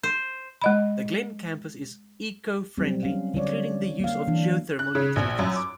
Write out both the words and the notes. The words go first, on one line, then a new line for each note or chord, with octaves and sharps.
The Glenn Campus is eco-friendly, including the use of geo-thermal utilities.
C5
G#3 D#5 B5
F#3 G3 C4
C#4 F5
D3 G3 C#5 D5
A#3 F5
E3 D4
F#6
C#3
A#1
F#2
D6